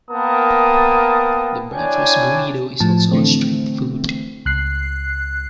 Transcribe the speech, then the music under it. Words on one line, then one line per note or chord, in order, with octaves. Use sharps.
The breakfast burrito is also a street food.
A#3 B3 A#4 G5 A5 D#6
D4 E4 C#5 D5 G5 G#5
A2 F3 A5
D3 E3 A3 C4
C#2 F#6 C7